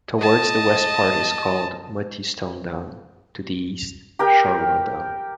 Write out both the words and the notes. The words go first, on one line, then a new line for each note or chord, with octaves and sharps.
Towards the west part is called Mottistone Down, to the East, Shorwell Down.
D#5 A5
G4 A#4 G5